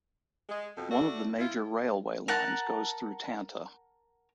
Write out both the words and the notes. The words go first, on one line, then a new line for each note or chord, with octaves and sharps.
One of the major railway lines goes through Tanta.
G#3
F2 B2
A3 D4 F#4
E4 F4
A#4 F#5 A5